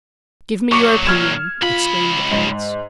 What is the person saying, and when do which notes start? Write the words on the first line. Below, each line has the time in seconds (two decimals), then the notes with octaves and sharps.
"Give me your opinion," exclaimed the prince.
0.72 A#2 F#3 C#6 D6 C#7
1.05 F6 G#6 E7
1.62 C#2 F4 B5
2.31 G#2